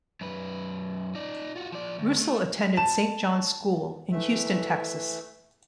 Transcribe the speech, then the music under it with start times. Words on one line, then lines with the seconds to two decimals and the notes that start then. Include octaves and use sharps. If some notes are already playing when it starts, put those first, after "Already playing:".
Roussel attended Saint John's School in Houston, Texas.
0.21 F#2 B4
1.15 D#4 D5
1.56 F4 F#4
1.72 F3 D5
1.99 D2
2.18 A3
2.77 A5 E7
4.11 E3 A3 E5